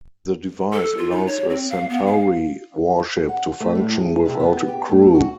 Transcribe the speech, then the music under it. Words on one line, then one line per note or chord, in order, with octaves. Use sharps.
The device allows a Centauri warship to function without a crew.
A4
F4
D#4
C#5
C4
F5
B3
F5
F#5
A3
A2
G#4
C3
B3
G4
A3
A#2
F#4